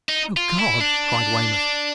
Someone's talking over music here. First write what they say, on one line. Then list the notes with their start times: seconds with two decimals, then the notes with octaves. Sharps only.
"Oh, God!" cried Weymouth.
0.09 D#4
0.37 F4
0.59 E4
0.80 D4